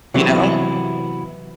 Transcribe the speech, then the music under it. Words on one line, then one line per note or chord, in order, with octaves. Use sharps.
you know?
C3 E3 F#3 B3 C4 E4